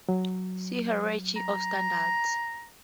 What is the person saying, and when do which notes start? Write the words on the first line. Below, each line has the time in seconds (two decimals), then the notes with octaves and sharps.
See Hierarchy of Standards.
0.09 F#3
1.36 A#5